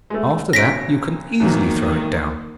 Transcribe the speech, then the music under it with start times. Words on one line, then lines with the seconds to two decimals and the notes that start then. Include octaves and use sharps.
After that you can easily throw it down.'
0.10 G#3 A3
0.53 B1 C#4 A#6 B6 D7
1.40 E2 G#2 D#3 F#3 A#3